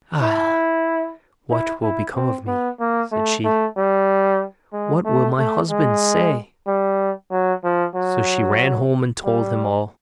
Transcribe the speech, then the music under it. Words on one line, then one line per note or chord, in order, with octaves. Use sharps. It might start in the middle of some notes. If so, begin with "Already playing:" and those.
'Ah! what will become of me?' said she; 'what will my husband say?' So she ran home and told him all.
E4
E4
E4
C4
B3
A#3
A3
A3
G3
G#3
A3
A3
G#3
G3
F#3
F3
F#3
G3